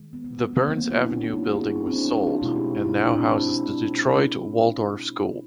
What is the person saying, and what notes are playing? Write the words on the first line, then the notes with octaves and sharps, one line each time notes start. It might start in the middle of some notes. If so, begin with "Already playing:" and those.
The Burns Avenue building was sold, and now houses the Detroit Waldorf School.
Already playing: D#3 G#3
B3
B3
B3
A#3 C4
D3 F#3 A#3 B3 C#4
B3 C#4
E4 F#4
D4 E4
C#4 D#4
D4 E4
D#4 F4
E4 F#4
F#4 G#4
D4 E4
C#4 D#4
C4 D4
C#4
C4 D4
C#4 D#4
D#4 F4
B2 G#3 E4 F#4
F4 G4
E4
D#4 F4
D4 E4
C4 D4
C4